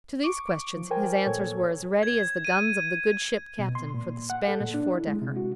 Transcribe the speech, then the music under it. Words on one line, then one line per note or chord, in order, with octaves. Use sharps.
To these questions his answers were as ready as the guns of the good ship Captain, for the Spanish four-decker.
C#6 D6 D7
F3
A#4 C5 G5 G#5
A#2 A4 C#5 G#6
G#6
D#7
B2
C6
A#2
F#5
A4
A#2
D4
E4
G#3
C3
F#4